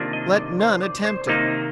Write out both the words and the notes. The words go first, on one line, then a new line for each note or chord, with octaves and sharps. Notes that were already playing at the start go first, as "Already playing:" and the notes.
Let none attempt it.
Already playing: C3 D#3 A#3 D4 F4
D#5
D5
C5
D5
C5
C3 D#3 A#3 D#4